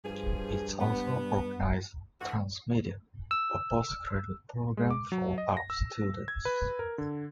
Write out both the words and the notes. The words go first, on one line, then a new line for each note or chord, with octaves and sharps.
It also organizes Transmedia, a postgraduate programme for art students.
G2 F3 G#4
B3
D2 E3 F#4
E6
G#3
D6
F#3
D#5
A#6
E6
G#6
B4
A#4
D3